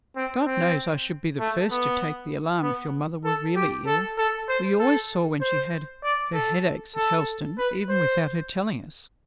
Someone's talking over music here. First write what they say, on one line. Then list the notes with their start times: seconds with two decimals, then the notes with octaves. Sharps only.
God knows I should be the first to take the alarm if your mother were really ill; we always saw when she had her headaches at Helstone, even without her telling us.
0.16 C4
0.47 C4
1.40 A3
1.71 B3
2.63 B3
3.25 A4
3.56 G4
3.87 A4
4.18 A4
4.49 C5
4.80 A4
5.41 C5
6.04 D5
6.34 A4
6.96 A4
7.58 B4
7.90 C5